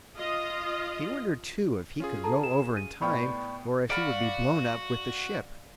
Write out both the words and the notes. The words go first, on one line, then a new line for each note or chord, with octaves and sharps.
He wondered too if he could row over in time, or if he would be blown up with the ship.
F4 D#5
C#4 F4 G#4
A4 A5 A#5
E7
D#7
A2 B3 D5 G5 B5 C#6
F#4 D5 F5 B5